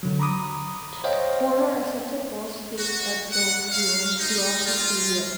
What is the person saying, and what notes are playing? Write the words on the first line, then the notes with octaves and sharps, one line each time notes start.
Werner accepted both stage and film roles throughout his career.
D3 F#3
A#5 B5 D6 D#6
C5 C#5 D#5 F5 G5
F#4
F#5
F5
D#4
F4